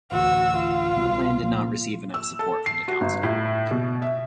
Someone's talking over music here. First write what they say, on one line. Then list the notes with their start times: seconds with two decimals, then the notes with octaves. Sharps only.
The plan did not receive enough support from the council.
0.12 A1 D2 F#4 E6
0.57 F4
0.96 C2 B2
1.42 A#2 F3
2.14 E6
2.39 A4
2.66 C7
2.88 F#4
3.01 G1
3.23 A2
3.71 B2
4.02 E5